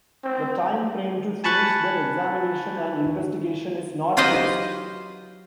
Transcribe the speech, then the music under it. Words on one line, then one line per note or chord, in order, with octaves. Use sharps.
The time frame to finish the examination and investigation is not fixed.
C4
G#5 A5 B5 C#6 F#6 A6
F#3 F4 G4 B4 C5 D#5